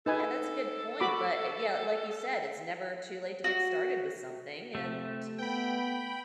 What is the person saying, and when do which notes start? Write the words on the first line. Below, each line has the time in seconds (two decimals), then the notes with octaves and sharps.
Yeah, that's a good point, but, yeah, like you said, it's never too late to get started with something, and
0.06 D#4 A4 B4 G#5
1.00 F#4 B5 D6
3.44 F#4
4.75 C3 A3
5.38 B3 G5 B5